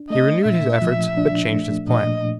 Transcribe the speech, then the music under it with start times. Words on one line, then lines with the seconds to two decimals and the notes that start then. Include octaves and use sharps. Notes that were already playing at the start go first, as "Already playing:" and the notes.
He renewed his efforts, but changed his plan.
Already playing: D4
0.10 A3 D#5
0.45 A#2 E5
0.82 F3
1.17 D4
1.52 A3
1.88 A#2 D#5